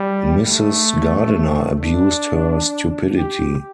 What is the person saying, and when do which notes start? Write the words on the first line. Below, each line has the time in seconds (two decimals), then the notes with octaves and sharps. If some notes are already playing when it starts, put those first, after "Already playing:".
Mrs. Gardiner abused her stupidity.
Already playing: G3
0.46 A3
1.82 D4
3.18 G4